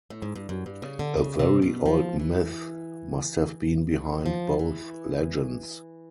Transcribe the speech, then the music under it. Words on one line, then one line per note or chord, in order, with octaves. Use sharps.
A very old myth must have been behind both legends.
A2
G#2
G2
F#2
G2
C#3
D3
C#3
C3
B2
F3
E3
F#3
E3
F3
E3